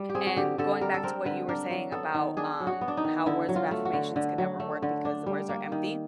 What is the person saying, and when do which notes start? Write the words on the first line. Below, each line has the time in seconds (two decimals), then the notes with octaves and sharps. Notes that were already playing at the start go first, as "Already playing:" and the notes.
and going back to what you were saying about, um, how "Words of affirmations can never work because the words are empty,"
Already playing: G3
0.10 G4
0.15 C4 G#4
0.27 F#4
0.36 D3 G4
0.58 D3 A4
0.81 G3 A#4
0.94 A4
1.03 C4 A#4
1.25 D3 B4
1.49 D4 A#4
1.71 F#3
1.92 B3 A4
2.14 D#3
2.37 D4 G#4
2.60 F#3
2.67 F#4
2.81 B3
2.88 D4
2.97 D#4
3.05 D#3
3.26 D3 E4
3.49 F#3
3.56 F4
3.71 A3
3.85 F#4
3.93 D3
4.16 D3
4.38 F#3
4.60 A3
4.82 D3
5.05 D4
5.26 G3
5.49 A#3
5.72 D#3